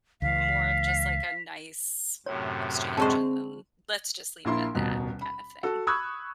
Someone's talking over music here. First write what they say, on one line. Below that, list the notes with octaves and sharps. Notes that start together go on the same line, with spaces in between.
more of just, like, a nice exchange and and let's just leave it at that, kinda thing.
C#2 E3 F5 B6
F#2 A2 C3 C#5
D3 G#3 C4 C5 A5 C#6
A#1 A#3 E4 C6
D#1 C2 B2
B5
F#4 A4
B5 C#6 D#6 E6 F#6 G#6